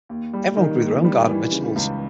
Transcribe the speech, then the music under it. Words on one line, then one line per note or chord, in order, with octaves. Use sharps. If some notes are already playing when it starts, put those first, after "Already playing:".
Everyone grew their own garden vegetables.
D#2
G3
D#3
D#2
G3
E3
C#3
C#2